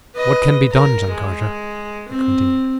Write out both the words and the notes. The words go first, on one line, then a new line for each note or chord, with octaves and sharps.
"What can be done, John Carter?" he continued.
B4 D#5
A#4
G#3
C4